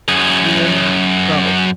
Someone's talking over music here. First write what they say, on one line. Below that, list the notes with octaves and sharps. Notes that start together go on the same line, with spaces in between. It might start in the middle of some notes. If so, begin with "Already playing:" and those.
You will not go?'
F#2 G#4